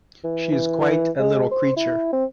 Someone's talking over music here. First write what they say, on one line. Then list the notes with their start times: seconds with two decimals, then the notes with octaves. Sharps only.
She is quite a little creature.
0.24 E3
0.52 E3
0.81 E3
1.19 G#3
1.52 C5
1.76 E4
2.13 C4